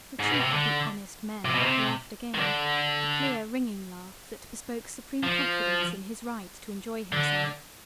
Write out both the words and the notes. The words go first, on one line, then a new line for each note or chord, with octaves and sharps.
The chief of the "honest men" laughed again, a clear, ringing laugh that bespoke supreme confidence in his right to enjoy himself.
G#2
B2
C3
D3
C3
B2
C3
D#3
D3
F3
D3